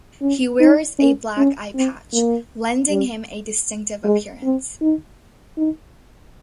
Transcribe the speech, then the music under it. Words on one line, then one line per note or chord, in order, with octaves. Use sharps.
He wears a black eyepatch, lending him a distinctive appearance.
C#4
D#4
C#4
C#4
C4
A#3
G3
G#3
C4
D#4
D#4